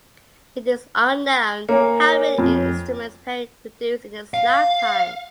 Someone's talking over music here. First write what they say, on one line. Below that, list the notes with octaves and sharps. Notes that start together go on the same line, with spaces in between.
It is unknown how many instruments Perry produced in his lifetime.
A#3 C#5 G#5
F2
F5